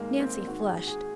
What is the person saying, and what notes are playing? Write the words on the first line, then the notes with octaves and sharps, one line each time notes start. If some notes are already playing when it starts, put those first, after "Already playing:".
Nancy flushed.
Already playing: G#2 D#3 G#3 A#3
C4
G#2 D#3 F#4
G#4
F#4
G#4